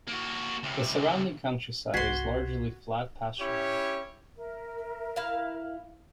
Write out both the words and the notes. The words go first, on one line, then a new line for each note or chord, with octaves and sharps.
The surrounding countryside is largely flat pastureland.
A#3 F#4
C#2 C3
G1 C2 F#4 C6 G#6 B6 C7
C#4 E4 G4 C#5
A#4 E5
E4 F5